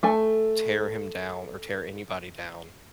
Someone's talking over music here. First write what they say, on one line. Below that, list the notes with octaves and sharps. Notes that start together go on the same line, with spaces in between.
tear him down or tear anybody down
A3 A4 G#5